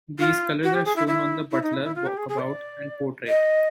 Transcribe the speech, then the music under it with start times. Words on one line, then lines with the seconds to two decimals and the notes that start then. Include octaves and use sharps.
These colors are shown on the butler, walkabout, and portrait.
0.19 F4
0.63 F#4
0.74 G4
0.85 G#4
0.96 E4
1.07 E4
1.51 E4
1.62 D#4
1.73 E4
1.84 E4
1.95 F4
2.06 G4
2.17 G#4
2.28 G#4
2.39 D5
3.27 D#5